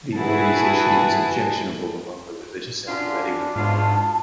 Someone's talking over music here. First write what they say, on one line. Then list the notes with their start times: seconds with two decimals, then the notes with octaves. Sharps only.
The organization is objectionable among the religious and Haredi public.
0.16 E4 F#4 G#4 B4 A5
2.88 F#2 D4 F4
3.56 G#2 B2 F4 A5